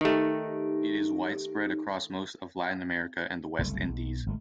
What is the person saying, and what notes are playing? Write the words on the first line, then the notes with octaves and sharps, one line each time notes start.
It is widespread across most of Latin America and the West Indies.
D#3 A3 D#4 G4
F#1 C2 B2 A3
B1
G#1 G#3 A3